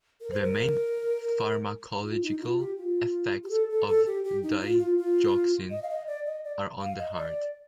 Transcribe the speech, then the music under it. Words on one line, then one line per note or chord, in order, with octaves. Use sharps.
The main pharmacological effects of digoxin are on the heart.
A#4
C5
A#4
F4
D#4
F4
G4
F4
G4
A4
A4
A4
G4
G4
D#4
F4
F4
F4
D#5
F5
D#5
D5
D#5
D5
F5
D#5
D5